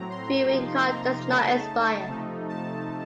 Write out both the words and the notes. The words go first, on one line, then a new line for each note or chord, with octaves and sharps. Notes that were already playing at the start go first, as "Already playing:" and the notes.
Viewing card does not expire.
Already playing: A2 F#3 C4 A#5
C6
C3 F3 A#3 D#4
A#5
C#3 A3 D#4 A5
C3 F3 A3 D#4
A5